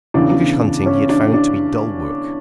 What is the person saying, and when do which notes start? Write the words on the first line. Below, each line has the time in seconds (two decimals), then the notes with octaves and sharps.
English hunting he had found to be dull work.
0.14 E2 C#3 E3 D4
0.86 C#4
1.09 D4
1.34 D4